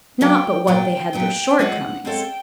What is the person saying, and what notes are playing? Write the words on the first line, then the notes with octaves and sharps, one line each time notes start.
Not but what they had their shortcomings.
A#2 F#3 B3 G5
A#2 F#3 B3 G5
A#2 F#3 B3 G5
G#3 C4 F4 A4 C#5 F#5
G#3 C4 F4 A4 C#5 G5